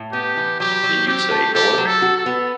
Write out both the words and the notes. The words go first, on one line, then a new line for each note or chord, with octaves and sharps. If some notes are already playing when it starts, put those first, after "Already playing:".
Then you'd say, 'Hello!'
Already playing: A2
B3 G4
E3
F#3 G4
F#3
C4 G4
A3
G4 A4
F#3
A4
F#4
A4
B3